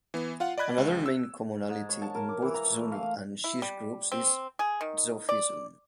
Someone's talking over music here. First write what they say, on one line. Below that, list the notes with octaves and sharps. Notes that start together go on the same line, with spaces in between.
Another main commonality in both Sunni and Shi’i groups is Sufism.
E3 B3
F4 F5 F#5
D5 D#5 B5 F#6 G#6
C#2
E6
G#2
C#5
A5
A#4
D6
E3
A#5
A3
F5
E4
G3
C4
G#4
D#3
D5